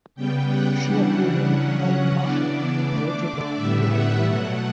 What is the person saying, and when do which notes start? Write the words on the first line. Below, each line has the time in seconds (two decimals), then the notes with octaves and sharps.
She appeared in "Calvin Marshall" directed by Gary Lundgren.
0.16 C#3 G3 B3 G5
0.49 F#5
0.83 C#3 E3 G3 D4
1.51 C#3 F#3 C#4
2.19 C#3 E3 B3 D4 D5
2.87 D3 A3 D4
3.55 A2 G3 B3 E5
3.89 F#5
4.24 B2 F#3 A3 F#5